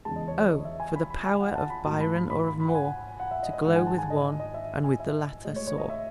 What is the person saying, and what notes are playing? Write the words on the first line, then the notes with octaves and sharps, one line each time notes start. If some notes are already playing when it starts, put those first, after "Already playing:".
Oh, for the power of Byron or of Moore, To glow with one, and with the latter soar.
E2 C#3 E3 G#3 A5
D#5
C#5
C#5
D#5
D#5
E5
G#5
B5
B5
G#5
F#5
A5
B5
G#2 F#3 A3 A5
B5
B5
B5
B5
B5
F#5
G#5
F#5
E5
D#5
D#5
G#2 D#3 G#3 F#5
G#5
A5
G#5
D#5
D#5
E5
G#5
E5
A2 G#3 D#5
C#5
C#5
D#5
E5